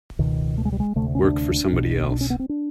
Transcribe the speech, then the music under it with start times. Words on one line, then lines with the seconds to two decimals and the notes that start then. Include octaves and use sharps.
Work for somebody else.
0.19 C#2 B2 D#3
0.58 A3
0.65 G#3
0.72 G3
0.80 G#3
0.96 D2 C3 A3
1.15 C#4
1.25 D4
1.73 B1 B2
2.11 D4
2.21 C#4
2.30 B3
2.39 C4
2.49 D4